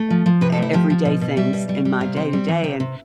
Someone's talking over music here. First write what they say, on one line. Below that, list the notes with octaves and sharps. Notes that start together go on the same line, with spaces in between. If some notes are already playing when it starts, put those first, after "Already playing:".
everyday things in my day-to-day, and
Already playing: A3
F3
F3
C3 B4
A4
A3 E4
F3 G4
F3
B2
B2
G3 E5
B2
G3
G3
C3 F5
C4
G3
E3
C3 G5
C3